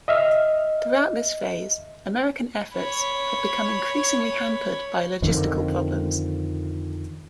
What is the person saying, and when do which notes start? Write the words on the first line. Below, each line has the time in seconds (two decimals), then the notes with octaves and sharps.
Throughout this phase, American efforts had become increasingly hampered by logistical problems.
0.08 D#5 E5 F6
2.75 C#5 B5
5.22 F2 D3 D#3 F3